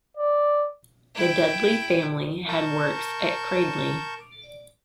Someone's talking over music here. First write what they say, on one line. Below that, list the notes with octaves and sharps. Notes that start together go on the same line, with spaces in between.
The Dudley family had works at Cradley.
D5
E4 G5
A#4 A5 C#6 G6